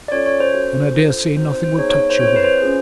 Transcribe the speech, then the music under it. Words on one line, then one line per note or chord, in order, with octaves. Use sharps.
And I dare say nothing will touch you there.
D5
C#4 F4 A4 C#5
C#5
C5
C#4 F#4 A4
D4 F4 A4
C4 D#4 F#4 C5
C5
C5
B3 D#4 G#4 C#5
C#5
C5
C4 E4 G#4 C#5
C5
B4
C5
C#4 F4 G#4